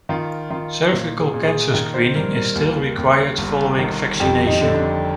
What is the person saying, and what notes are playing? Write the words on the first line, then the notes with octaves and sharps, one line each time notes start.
Cervical cancer screening is still required following vaccination.
D#3 F4
D#3 F4
A#2
G#4
A#2
G#4
D#3 A#4
C5
G2 A#4
A#4
D#2
D#2
G1
D#3
F2 G4
D#4
D3
D4